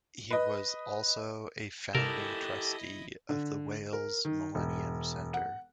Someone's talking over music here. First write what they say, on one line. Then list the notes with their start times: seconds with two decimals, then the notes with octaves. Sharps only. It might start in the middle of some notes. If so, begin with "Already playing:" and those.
He was also a founding Trustee of the Wales Millennium Centre.
0.31 B4 D#5
1.95 C3 E4 G4 A4 A#4 D#5
3.29 D3
3.93 A#4
4.25 D#3
4.55 E1
5.34 F#5